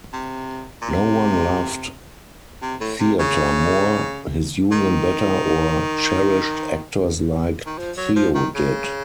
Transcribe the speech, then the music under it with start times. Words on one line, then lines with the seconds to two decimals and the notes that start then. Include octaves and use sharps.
No one loved theater more, his union better or cherished actors like Theo did.
0.13 C3
0.82 A#2
0.90 C3
2.62 C3
2.81 A2
3.00 C3
3.19 C#3
4.72 D#3
7.66 D#3
7.78 F3
7.97 F#3
8.16 F3
8.35 D#3
8.55 C#3